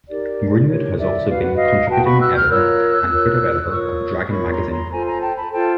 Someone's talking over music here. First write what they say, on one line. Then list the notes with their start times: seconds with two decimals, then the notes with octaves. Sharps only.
Greenwood has also been contributing editor and creative editor of "Dragon" magazine.
0.08 D#4 G4 A#4 D5
0.68 D#4 G4 A#4 C#5
0.99 D5 E5
1.29 F#4 B4 F5
1.42 F#5
1.56 D#5 F5
1.85 A#5
1.89 F#4 B4 G5 A5
2.04 B5 C#6
2.19 E6 F#6
2.34 F6 G6
2.49 F4 A#4 C#5 E6 F#6
3.10 F4 A#4 C#5
3.70 F4 A#4 C#5 C#6 D#6
4.31 F4 A#4 C#5 B5 C#6
4.51 A#5 C6
4.71 A#5 C6
4.91 F4 A4 C5 G#5 A#5
5.06 G#5 A#5
5.21 G5 A5
5.37 A5 B5
5.51 F4 A4 C5 G5 A5